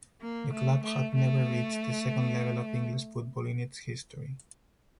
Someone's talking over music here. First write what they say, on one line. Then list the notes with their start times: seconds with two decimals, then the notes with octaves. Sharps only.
The club had never reached the second level of English football in its history.
0.21 A#3
0.53 A3
0.84 A3
1.15 A3